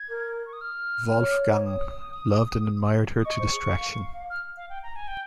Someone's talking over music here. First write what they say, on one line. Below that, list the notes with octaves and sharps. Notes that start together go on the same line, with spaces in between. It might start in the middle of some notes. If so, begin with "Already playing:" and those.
Wolfgang loved and admired her to distraction.
Already playing: G#6
A#4
C#6
D#6
F6
C#5
D#6
D#6
D#5 C#6
C5
G#4
F5
F6
F5
G5
A#5
G#5
G5